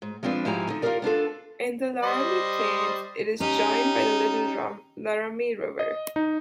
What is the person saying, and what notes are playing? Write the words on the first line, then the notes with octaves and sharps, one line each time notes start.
In the Laramie Plains it is joined by the Little Laramie River.
G#2
F3 G#3 C4 D4 B4
G#2 F3 E4 G4 G#5 A#5
D3 D#4
D#4 F4 G4 G#4 A#4 D5
B3 D4 F4 A4
G3 C5 D#5
C#4 D#4 G4
D#5
D#4